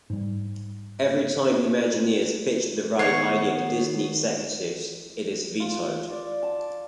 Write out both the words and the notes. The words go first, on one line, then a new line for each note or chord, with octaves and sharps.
Every time Imagineers pitch the ride idea to Disney executives, it is vetoed.
G#2 G3
D#3 B3 C#5 C7
F4
D5
A5